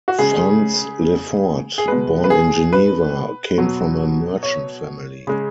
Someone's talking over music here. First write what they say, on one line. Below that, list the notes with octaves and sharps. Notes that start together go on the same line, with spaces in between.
Franz Lefort, born in Geneva, came from a merchant family.
F#4
C#3 G#3 G#4
G#4
B2 G#3 B4
B4
G#4
B4
B2 F#3
C#5
C#3 G#3